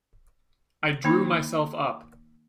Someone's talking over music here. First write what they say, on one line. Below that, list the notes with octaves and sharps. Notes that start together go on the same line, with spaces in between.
I drew myself up.
D#3 A#3 D#4 B5